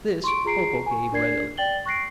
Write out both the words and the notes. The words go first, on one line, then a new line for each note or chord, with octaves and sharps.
This Bobo gave readily.
C6 C#6 D7
F4 G#4 A#5 C7 D7
G#5 C#6
D4 A#4 D5 G#6 C7
D5 G5 A6 F#7 G7
C#6 F#6 A#6 C7 D7